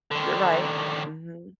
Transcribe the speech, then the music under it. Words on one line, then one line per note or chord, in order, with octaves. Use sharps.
You're right. Mhm.
D3 D#3